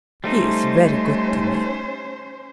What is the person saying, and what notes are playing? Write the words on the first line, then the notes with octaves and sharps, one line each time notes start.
He is very good to me.
G3 A3 C#4 D#4 C5